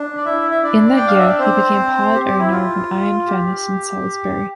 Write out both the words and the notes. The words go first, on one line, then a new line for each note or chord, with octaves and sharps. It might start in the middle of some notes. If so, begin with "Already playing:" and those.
In that year, he became part owner of an iron furnace in Salisbury.
Already playing: D4
D5
E4 E5
E5
D4 D5
G5
F5
E5
D5
C4 C5
G4
G4
E4
F4
G4